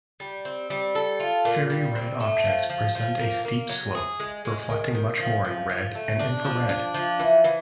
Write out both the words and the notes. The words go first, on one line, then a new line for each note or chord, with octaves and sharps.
Very red objects present a steep slope, reflecting much more in red and infrared.
G3
C4
G3
A4
F4
A#2
G3
C4
A3
F3
F3
F3
A#3
A#3
F#3
G#4
G#3
G#3
D#3
D#3
F3
F3
F3
A3
D4
F3
D4
F3
E3
E3